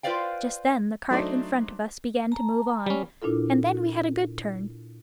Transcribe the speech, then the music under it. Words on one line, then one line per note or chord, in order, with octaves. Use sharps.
Just then the cart in front of us began to move on, and then we had a good turn.
F4 B4 C5 D5 F5 G5
F#3 A3 D4 D#4 C5 D5
A5 A#5
G3 C#4
A#2 D4 E4 F4 A4